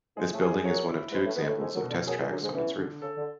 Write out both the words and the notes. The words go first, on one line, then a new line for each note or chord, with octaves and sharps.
This building is one of two examples of test tracks on its roof.
G#2 G#3 G#4
A2 A3
G#4
E2 E3
F#2 F#3 C#5
E4
G#2 G#3 B4
A2 A3
B2 B3 B4
G#3
A2 A3
G#2 G#3 A3
F#2 F#3
B2
D3
F#2 F#3 G#4
E2 E3
F#2 D3 F#3
G#2 G#3
E2 E3 C#4
D3
C#3 A4
D3